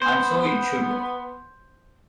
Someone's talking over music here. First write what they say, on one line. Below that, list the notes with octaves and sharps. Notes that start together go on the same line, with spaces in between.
And so it should.
B3 C5